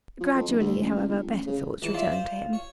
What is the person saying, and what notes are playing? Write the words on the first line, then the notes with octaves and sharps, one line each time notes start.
Gradually, however, better thoughts returned to him.
F3
F2
D1
D2
A1
C#2
G1
A1
C#3
C#2 E3 A5
F4 D5 E5 C6
C5
C#5